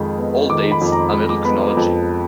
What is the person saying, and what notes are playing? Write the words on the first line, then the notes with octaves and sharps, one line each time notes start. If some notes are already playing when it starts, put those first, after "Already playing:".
All dates are middle chronology.
Already playing: F2 D#3 G#3 B5
B3
D#3 D6
B5
F2
A#5
G#3 B5
D6
B3 B5
F2